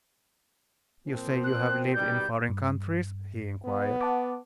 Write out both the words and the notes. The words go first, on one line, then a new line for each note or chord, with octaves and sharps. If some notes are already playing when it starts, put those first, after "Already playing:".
"You say you have lived in foreign countries?" he inquired.
A#2 F3 C4
F#6
B2 D#3 G3 G6
G2
B3
F#5 A5 D6